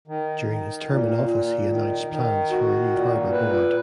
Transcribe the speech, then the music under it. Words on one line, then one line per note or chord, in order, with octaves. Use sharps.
During his term in office he announced plans for a new Harbor board.
D#3
D#3
A#2
A#2
D#3
D#3
F#4
A#2
B4